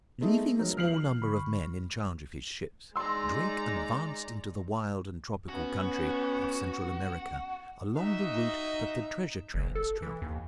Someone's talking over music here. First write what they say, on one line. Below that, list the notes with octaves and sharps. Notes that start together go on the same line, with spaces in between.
Leaving a small number of men in charge of his ships, Drake advanced into the wild and tropical country of Central America along the route that the treasure trains traveled.
G#3 A3 B3 D#4
F3 F#3 G#3 D#4 A#4
F3 F6 C7 F#7
D3 B5 C#6
G#3 D#4 D5 A#5 C6 E6
B3 C#4 F#4
D#4 F#4 D#5 E5
F#1
A4
E3
D#2